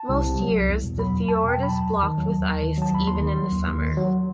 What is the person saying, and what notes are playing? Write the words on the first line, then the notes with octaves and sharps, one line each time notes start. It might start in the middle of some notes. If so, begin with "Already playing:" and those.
Most years the fjord is blocked with ice even in the summer.
Already playing: A5
C2
C3
F#3
C2
E2
B2
F#3 B5
E2
E2 A5
B2 G5
F#3 B5
E2 A5
D#2
D#3
F#3
D#2
D#2
D#3
F#3 A5
D#2 B5
D#2 C6
D#3
F#3
D#2
D#2
D#3
F#3